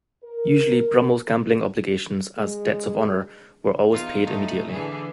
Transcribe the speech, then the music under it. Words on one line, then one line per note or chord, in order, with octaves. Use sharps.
Usually Brummell's gambling obligations, as "debts of honour", were always paid immediately.
A#4
G#3
E2 D#4 F4
A2 A3 D#4
D3 E3 G#4